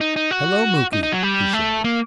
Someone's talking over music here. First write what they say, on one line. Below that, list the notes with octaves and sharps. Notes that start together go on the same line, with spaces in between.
"Hello, Muky!" he shouted.
D#4
D#4
F#4
D#4
D#4
F#3
G3
A3
A#3